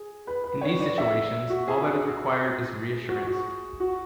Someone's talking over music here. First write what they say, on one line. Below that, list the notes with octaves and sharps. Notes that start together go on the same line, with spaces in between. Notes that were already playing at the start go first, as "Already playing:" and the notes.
In these situations, all that is required is re-assurance.
Already playing: G#4
B4
B4
C#5
D5
E5
F#4
G#4
F#4
F#4
F#4